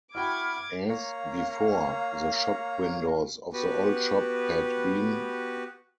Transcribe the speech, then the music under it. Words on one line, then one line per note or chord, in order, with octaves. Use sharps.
As, before, the shop windows of the old shop had been.
E4 F#4 F#5 G5 B5 D6 F6 G#6
A#3 C#5 F5 A#5
B3 F#4 G4 B4